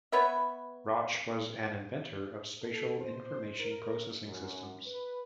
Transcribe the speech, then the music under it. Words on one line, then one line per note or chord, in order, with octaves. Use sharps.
Rauch was an inventor of spatial information processing systems.
B3 B4 C#5 E5
A4
C5
A#4
F#2
B4